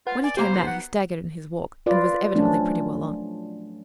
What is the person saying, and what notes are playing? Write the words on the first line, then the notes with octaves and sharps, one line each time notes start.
When he came out he staggered in his walk, and was evidently pretty well on.
F4 B4 F#5
D5 G#5
B2 A#3 G4 C5 A#5
B3 D#4
F#5
F4 B4 D5
F3 F#3 A3 C#4 D4